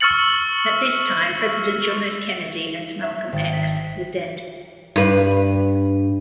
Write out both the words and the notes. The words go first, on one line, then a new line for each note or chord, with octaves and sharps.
At this time, President John F. Kennedy and Malcolm X were dead.
C#6 E6 F6 A6 C#7 F#7
E5
G#1 A6
B6
G2 B4